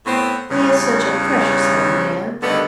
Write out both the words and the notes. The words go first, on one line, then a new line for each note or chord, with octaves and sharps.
He is such a precious little man.
A2 B3 C4
E2 G2 C#3
D2 G2 D3 D#3 B3